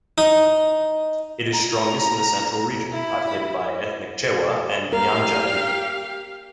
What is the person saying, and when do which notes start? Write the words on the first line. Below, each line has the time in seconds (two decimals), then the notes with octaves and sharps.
It is strongest in the central region, populated by ethnic Chewa and Nyanja people.
0.18 D#4
1.52 A#5
2.91 E4 B5
4.93 G4 A#4 F5